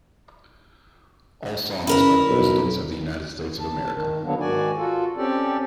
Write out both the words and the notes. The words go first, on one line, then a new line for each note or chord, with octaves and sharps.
All songs by The Presidents of the United States of America.
C#3 E4 A#4 B4
B1
A5
D#3
D3 D#3 F#3 A#3 B3 D4
G#2 D#3 F#4 D5 G#5
F4 F#4 A4
C4 C#4 G4 A4 D5